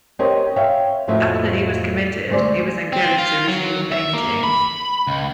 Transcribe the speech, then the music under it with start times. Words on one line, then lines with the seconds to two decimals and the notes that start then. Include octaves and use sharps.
After he was committed, he was encouraged to resume painting.
0.19 C4 G4 A#4 C#5 D#5
0.56 C#5 E5 F5 G5
1.08 F2 A2 F4 F#4 D#5 E5
2.30 D2 G#3 C4 D5
2.93 C4
3.18 F4
3.48 F#3
3.92 E5
4.14 A#3
4.44 B5
5.07 C#2